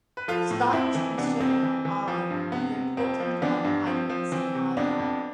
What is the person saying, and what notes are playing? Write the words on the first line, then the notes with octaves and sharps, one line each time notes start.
Starch and sugar are the important carbohydrates in our diet.
B4
F3 F4 A4
A2
F2 C4 E4
E3
C3 B3 D4
F2 C4
E3
E3
F3
G2
C3 B3
C3
F2 C4
F3
E3 B3 D4
G2
F3 C4
F3
E3 C4
C3
F2 B3 D4
F2